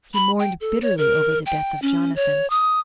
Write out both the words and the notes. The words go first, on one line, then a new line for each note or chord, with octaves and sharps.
He mourned bitterly over the death of Jonathan.
B5
G5
A4
C#5
A#4
G5
C#4
C#5
D#6